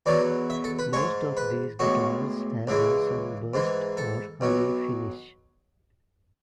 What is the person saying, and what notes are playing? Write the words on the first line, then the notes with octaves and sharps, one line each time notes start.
Most of these guitars have a sunburst or honey finish.
E2 B2 F#3 D5
E5
A4
B4
G#2 G#3 C#5
B4
B1 A2 G#3 F#4
C#2 C#3 E3 G#3
G#2 E3 G#3
A4
B1 B2 F#3